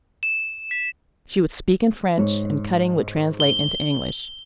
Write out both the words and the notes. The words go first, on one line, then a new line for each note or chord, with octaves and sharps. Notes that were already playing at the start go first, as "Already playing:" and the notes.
She would speak in French, and Cutting would translate into English.
E7
B6
G#2 C#5
G7